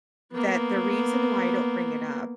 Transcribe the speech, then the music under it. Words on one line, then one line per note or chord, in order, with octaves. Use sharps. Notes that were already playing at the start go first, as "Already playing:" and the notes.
that the reason why I don't bring it up
A#3 B3